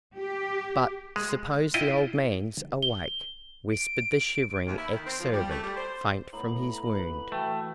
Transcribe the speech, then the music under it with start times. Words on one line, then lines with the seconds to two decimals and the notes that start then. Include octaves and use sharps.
"But, suppose the old man's awake?" whispered the shivering ex-servant, faint from his wound.
0.16 G4
1.16 G#3
1.74 E4 F4 D#5 G5
2.82 G7
3.72 D7
4.66 D#2
4.78 E4
4.92 D#3
5.05 C4
5.20 F3
5.33 G3
5.51 A3
5.63 G3
5.77 C5
6.33 A2 B3 A#5 B5
6.94 B4
7.32 E3 A3 F#4 G5